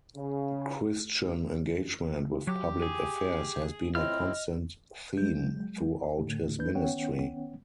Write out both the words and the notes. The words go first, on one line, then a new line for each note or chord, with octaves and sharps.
Christian engagement with public affairs has been a constant theme throughout his ministry.
C#3
F#3 G4
G#4
A2 C4 E4 F4 D#5 F6
F#3 G#3 G6
A2 D3 A3
D4 B4 G6
D#3 B3 C#4 C#5 F#5 G5